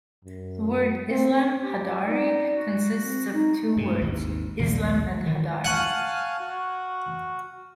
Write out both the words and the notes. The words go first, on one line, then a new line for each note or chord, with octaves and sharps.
The word Islam Hadhari consists of two words, Islam and Hadhari.
F#2
C4
G4
D#4 D5
F#4
C4
D#4
G2 B2
G#1 D#2
A#1 D#2 B2 G3
D#3 E3
F5 F#5 G#5 A5 C#6 F6 D#7
F#4